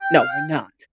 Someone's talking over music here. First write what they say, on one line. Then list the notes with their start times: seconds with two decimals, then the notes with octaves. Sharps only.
No, we're not,
0.01 G5
0.17 F5
0.29 G5